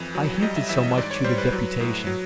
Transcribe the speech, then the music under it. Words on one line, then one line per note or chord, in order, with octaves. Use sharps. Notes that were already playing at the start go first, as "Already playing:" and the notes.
I hinted so much to the deputation.
Already playing: F2 E3
F#3
G3 D#5
E5
E3 E5
D#5
G#2 D5
C#5
G3 C5
B4
F#3
A2
F#3